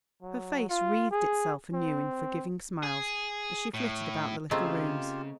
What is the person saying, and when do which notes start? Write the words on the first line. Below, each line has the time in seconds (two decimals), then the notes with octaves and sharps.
Her face wreathed itself anew in forgiving smiles as she flitted about the little rooms.
0.22 F#3
0.69 F4
1.11 G#4
1.73 C4
2.83 G#4
3.74 A2
4.51 C#3 A3 C4 F4 G4 G#4 D#5 A#5